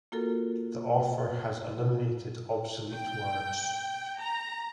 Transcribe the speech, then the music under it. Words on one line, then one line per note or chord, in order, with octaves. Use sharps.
The author has eliminated obsolete words.
A#3 F4 F#4 A4 A#4
G5
A#5